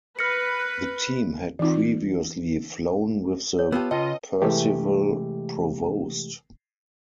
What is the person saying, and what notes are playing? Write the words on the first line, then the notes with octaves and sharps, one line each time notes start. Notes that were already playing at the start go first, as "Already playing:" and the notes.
The team had previously flown with the Percival Provost.
B4 F6 A#6 C#7
E3 C4 D#4 F4
C#5
B3 F4 G4 A#4 A5
C#3 F4 B4 D#5 G5 A5
C3 E3 G#3 A3 G4